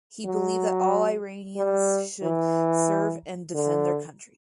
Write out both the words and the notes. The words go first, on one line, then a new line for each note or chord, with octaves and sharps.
He believed that all Iranians should serve and defend their country.
F#3
G3
E3
D3